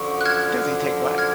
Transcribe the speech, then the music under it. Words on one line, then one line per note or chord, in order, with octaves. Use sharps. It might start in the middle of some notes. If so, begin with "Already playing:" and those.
Does he take what?
Already playing: F#2 D3 F3 C#6
F#6
F6 G#6
F6 G#6